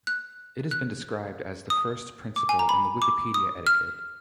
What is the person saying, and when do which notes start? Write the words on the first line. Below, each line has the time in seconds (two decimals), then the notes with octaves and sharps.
It has been described as "the first principle in the Wikipedia etiquette".
0.07 F#6
0.71 F#6
1.70 D#6
2.36 D6
2.49 G#5
2.59 A#5
2.69 B5
3.02 D6
3.34 D#6
3.67 F6